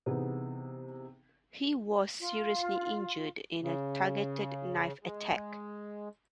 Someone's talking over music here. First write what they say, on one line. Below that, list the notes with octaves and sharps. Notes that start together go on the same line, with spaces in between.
He was seriously injured in a targeted knife attack.
C3 E3 B3 D#4 G#4
F4
C#3
G#3